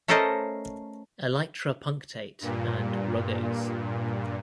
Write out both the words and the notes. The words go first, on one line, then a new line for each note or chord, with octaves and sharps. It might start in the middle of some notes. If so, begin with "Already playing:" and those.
Elytra punctate and rugose.
A3 C#4 A4 A#4 C5 D#5
G2 A#2